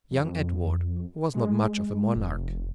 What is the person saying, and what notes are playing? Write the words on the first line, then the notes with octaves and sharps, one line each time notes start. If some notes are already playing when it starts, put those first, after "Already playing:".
Young Edward was not much of a monarch.
F2
G#3
F1